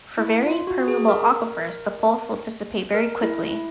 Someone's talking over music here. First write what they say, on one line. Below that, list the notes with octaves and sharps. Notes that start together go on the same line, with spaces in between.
For very permeable aquifers, the pulse will dissipate very quickly.
E4
F4
F#4
G#4
A#4
A#4
E4
E4